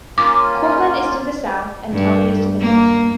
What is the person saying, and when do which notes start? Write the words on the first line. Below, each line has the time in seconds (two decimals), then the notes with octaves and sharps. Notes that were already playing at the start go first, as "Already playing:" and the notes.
Cortland is to the south, and Tully is to the north.
0.18 A#3 C#4 F4 D6
1.92 G2
2.61 A#3